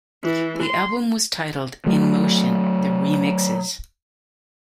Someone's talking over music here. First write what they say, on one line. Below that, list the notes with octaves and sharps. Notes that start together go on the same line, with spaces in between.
The album was titled "In Motion: The Remixes".
E3
C6
F#3 A3